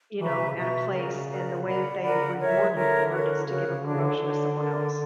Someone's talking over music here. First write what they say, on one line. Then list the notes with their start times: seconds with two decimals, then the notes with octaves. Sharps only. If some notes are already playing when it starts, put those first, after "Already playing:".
you know, at a place, and the way that they reward you for it, is to give a promotion to someone else.
0.21 E3 B4 E5 A#5 C#6
0.29 C#3
0.38 B2
0.48 C#3
0.56 B2 B4 E5 A#5 C#6
0.92 C#3 F#4 A#4 D5 A#5
1.29 F#4 A#4 D5 A#5
1.66 B2 A#4 D5 F#5 B5
1.78 C#3
1.90 C#3
2.02 D3 A#4 D5 F#5 B5
2.14 D3
2.20 C#3
2.39 D3 A#4 C#5 E5
2.48 F#3
2.57 G3
2.66 F#3
2.75 D3 A#4 C#5 E5
3.12 F#4 A#4 C#5
3.48 C#3 F#4 A#4 C#5
3.66 C#3
3.84 D3 D4 F#4 C#5
3.94 C#3
4.02 D3
4.21 D4 F#4 C#5
4.58 D4 A#4 D5